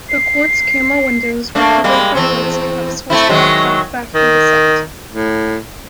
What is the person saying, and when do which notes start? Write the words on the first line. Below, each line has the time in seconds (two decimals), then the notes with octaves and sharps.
The quartz camera windows were covered by lens caps which popped off after descent.
0.09 C7
1.55 A3 A#3 D4
1.84 G3 G#3 A#3
2.15 E2 C4
3.10 A3 C4 E4
3.29 D#3 F#3 G#3
4.15 D#3
5.11 A2